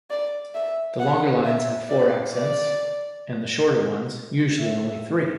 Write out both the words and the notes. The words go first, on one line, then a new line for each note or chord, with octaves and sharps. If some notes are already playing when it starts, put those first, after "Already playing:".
The longer lines have four accents and the shorter ones usually only three.
D5
E5
F#5
E5
D5
D5
E5